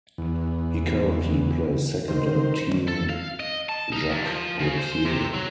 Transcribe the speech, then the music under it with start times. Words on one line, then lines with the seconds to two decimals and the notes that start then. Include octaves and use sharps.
He currently plays second on Team Jacques Gauthier.
0.18 E2
2.08 D#3 C5
2.88 A4
3.10 F5
3.40 D#5
3.69 A5
3.92 D#4
4.10 E2
4.24 F3
4.60 C#3
4.78 C5
5.05 C3
5.34 F#3